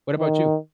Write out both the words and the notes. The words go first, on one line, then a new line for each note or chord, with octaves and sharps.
What about you?
D#3